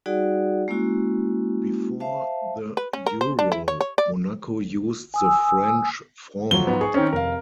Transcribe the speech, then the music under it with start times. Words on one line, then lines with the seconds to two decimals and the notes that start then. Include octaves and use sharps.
Before the euro, Monaco used the French franc.
0.06 G3 D#4 F#4 G#4 D5 F#5
0.68 G#3 A#3 C#4 E4 F#4
2.00 C5 E5 F5 A5
2.77 B4
2.93 C#4
3.06 A#4
3.21 C5
3.39 D4
3.52 E4
3.68 C#5
3.81 C#5
3.98 D5
5.14 G#5 D#6 E6
6.51 F3 F#3 G7
6.67 G#2 B3
6.81 G#4 C#6
6.94 D#3 C4 C#4
7.13 F1 A#4 F5